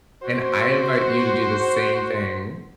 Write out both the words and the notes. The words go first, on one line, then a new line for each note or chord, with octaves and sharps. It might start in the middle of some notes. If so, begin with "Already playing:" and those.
And I invite you to do the same thing.
F#4 C5